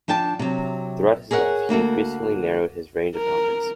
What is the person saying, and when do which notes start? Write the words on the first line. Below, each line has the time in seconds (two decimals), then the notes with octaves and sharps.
Throughout his life, he increasingly narrowed his range of topics.
0.08 F3 D4 G5 A5
0.39 C3 F#3
1.31 G#4 A#4 C#5 E5 F#5
1.69 D2 A#3 F#4 A4
3.16 A#4